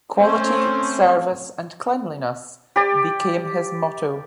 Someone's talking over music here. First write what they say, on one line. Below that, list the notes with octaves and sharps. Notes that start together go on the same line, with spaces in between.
"Quality, Service and Cleanliness" became his motto.
A3 C4 C#4 C5
G4 D5